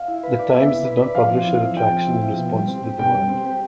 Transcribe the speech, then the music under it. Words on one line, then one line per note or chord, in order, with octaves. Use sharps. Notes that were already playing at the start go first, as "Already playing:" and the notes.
The "Times" did not publish a retraction in response to the demand.
Already playing: F5
E4
B4
D5
B3 E5
E4
B4
D5
F3 F5
C4
E4
F3
F3 G5
C4
E4
F3
B2
G3
C4
G4
B2 G5
G3
C4
G4